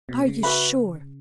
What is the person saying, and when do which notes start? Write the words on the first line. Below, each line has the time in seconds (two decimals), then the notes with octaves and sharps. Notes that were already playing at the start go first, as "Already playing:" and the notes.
Are you sure?
0.09 B2
0.26 C#3
0.43 F#4 B4 E5 B5